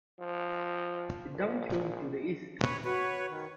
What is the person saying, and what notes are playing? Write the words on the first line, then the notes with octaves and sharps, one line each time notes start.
It downthrows to the east.
F3
A#1
B4 C#5
F#4 B4 C#5
D#3